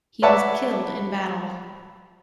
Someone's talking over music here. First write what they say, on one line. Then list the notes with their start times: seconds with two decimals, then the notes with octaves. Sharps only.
He was killed in battle.
0.22 B4 C#5 D5 E5 F#5 A5